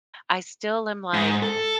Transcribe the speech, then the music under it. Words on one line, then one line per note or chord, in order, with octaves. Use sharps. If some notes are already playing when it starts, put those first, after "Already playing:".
I still am, like,
G#2
A4